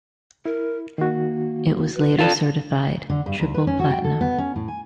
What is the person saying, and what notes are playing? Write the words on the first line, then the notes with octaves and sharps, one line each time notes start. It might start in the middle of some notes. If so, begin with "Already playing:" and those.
It was later certified triple platinum.
E4 A#4
D#3 A#3 F#4
B4
F4 A4 D5
D3
G2
D2
B4
C#4
F#4
G5
A4
B3
C#4
A2
G#5